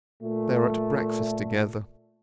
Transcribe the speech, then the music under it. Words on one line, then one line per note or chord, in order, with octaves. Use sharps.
They are at breakfast together.
A#2 A3